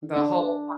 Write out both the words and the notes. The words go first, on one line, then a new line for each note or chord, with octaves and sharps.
The whole
D4